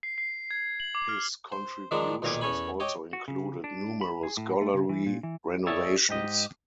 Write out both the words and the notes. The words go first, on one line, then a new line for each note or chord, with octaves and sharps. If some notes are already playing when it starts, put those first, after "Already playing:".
His contributions also included numerous gallery renovations.
C7
C7
G#6
F#7
D6
F6
C5
D#3 F3 G#3 D4 A#4 A5
B1 A#2 D#3 F5 G#5 D6
E2 C#4 A4 C#5 G#5 B5
C#5 D#5 G5 D6
F#4
C#3
D4
B5
G#4
A2
A3
C#3
E3
A#2
E3
G#4 A4 C#5 D5 E5
G#2 G4 D#5